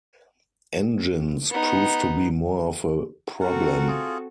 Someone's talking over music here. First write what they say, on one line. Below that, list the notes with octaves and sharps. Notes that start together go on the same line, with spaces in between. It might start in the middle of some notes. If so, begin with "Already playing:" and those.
Engines proved to be more of a problem.
B3 D#4
C4 F#4 A4 A#4 F#5
F4 G#4